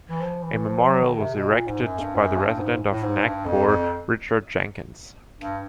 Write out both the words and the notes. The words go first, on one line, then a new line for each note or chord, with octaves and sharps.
A memorial was erected by the Resident of Nagpur, Richard Jenkins.
E3
F3
E3
F3
F#3
D#3
C3
B2
A#2
G#2
F#2
G2
F#2
G2
G#2
A2
G#2
G2
F2
F2
G2